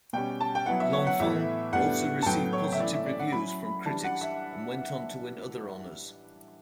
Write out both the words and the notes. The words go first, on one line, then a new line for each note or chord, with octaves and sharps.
"L'Enfant" also received positive reviews from critics, and went on the win other honours.
B2 G3 C#4 G5
A5
G5
F#3 B3 E4 F#5
E5
C#5
F#5
A2 E3 B3 E4 E5
A2 G3 B3 D4 F#5
A5
A2 F#3 B3 G5
C#5
E5
E3 A3 C#4 E4 D5
E5
D5
F#5
F#3 C#4 E4 B5
E3 G3 D4 A5
F#5
E5